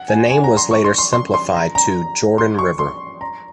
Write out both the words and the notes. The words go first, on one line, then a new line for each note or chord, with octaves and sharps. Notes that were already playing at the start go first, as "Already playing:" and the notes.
The name was later simplified to "Jordan River".
Already playing: F#5
G#5
G#5
A#5
C6
C#6
C6
C6
C6
C6
A#5
A#5
C6
C#6
C6
A#5